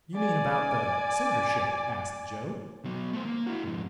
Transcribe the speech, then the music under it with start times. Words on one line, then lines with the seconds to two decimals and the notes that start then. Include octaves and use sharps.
"You mean about the senatorship?" asked Joe.
0.16 D5 G#5
2.85 F#3 B3
3.13 A3 C5
3.25 A#3
3.47 E4 F#4
3.63 F2 G#2